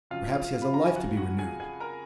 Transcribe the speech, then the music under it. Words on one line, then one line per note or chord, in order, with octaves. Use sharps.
Perhaps he has a life to be renewed.
F2 C#3 F#3 F4 F5
B5
A#5
G#5
F#4 F#5
F#4 F#5
G#4 G#5
G#4 G#5
A#4 A#5